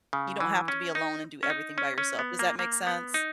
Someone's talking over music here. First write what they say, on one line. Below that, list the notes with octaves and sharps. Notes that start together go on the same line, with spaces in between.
you don't have to be alone and do everything by yourself." Does that make sense?
C#3
E3
C#4
D#4
C#4
D#4
C#4
C#4
B3
A#3
A#3
B3
D#4